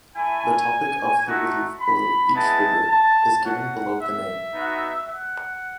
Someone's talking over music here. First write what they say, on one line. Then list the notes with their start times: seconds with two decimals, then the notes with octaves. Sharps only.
The topic of the relief below each figure is given below the name.
0.16 A3 E4 G#5
1.25 A3 D#4 F#4
1.80 B5
2.34 G#3 B3 E4 A5
2.89 A5
3.43 A3 C#4 F#4 F#5
3.98 E5
4.52 B3 D#4 F#4
5.07 F#5